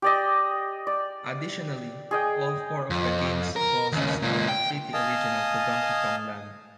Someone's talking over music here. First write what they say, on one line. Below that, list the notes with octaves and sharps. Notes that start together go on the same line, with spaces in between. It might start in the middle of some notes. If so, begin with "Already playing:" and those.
Additionally, all four of the game's bosses are completely original to "Donkey Kong Land".
G4 D5 D#5
D5
G#4 D#5 G5
F2
A#4
D#2 C#3
C#2 A#2
G5
D#5 F5 G#5 A5 D#6